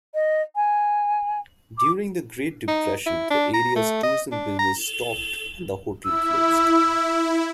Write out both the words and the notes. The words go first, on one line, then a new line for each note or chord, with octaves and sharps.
During the Great Depression, the area's tourism business stopped and the hotel closed.
D#5
G#5
D6
D#4
E4
D4
A#5
A3
D#5
D4
A#5
E4 E6